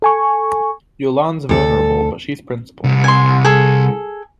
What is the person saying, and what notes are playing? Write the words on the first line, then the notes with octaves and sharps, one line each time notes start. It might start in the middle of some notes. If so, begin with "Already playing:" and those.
Yolande's vulnerable, but she's principled.
A4 G#5 C#6
D2 A4
C2
G#5 C6
G#4 A4